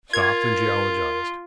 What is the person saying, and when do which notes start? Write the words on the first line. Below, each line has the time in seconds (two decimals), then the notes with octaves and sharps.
Stopped and geologised.
0.13 F4 A#4 G#6